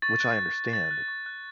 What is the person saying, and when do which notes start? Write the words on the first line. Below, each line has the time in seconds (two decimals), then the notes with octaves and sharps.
which I understand.
0.02 C#6 A6
0.20 F#6
0.37 C#6
0.55 F#6
0.73 C#6 A6
0.91 F#6
1.08 C#6
1.26 F#6